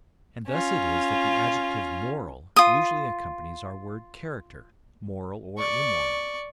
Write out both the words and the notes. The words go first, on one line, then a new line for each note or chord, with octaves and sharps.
And thus it is that the adjective 'moral' usually accompanies our word 'character'--moral or immoral.
C#4 F4
F4 D#6
D5 C#6